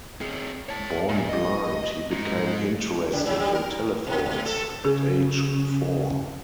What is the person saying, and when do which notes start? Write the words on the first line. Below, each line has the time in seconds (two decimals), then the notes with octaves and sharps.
Born blind, he became interested in telephones at age four.
0.21 C4 G#4
0.69 C#5 A5
1.09 A#2
1.29 D#5
2.12 G#3 D#4
3.13 C#3
3.26 G#2
3.40 G3
3.55 A#4
4.07 B2
4.25 B2
4.46 A4
4.85 C#3 G#4